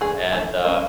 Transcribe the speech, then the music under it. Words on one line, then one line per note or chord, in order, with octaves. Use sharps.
and uh
E3 A3 D4 G#4
E3 A3 D4 A4
G3 A#3 C#4 A#4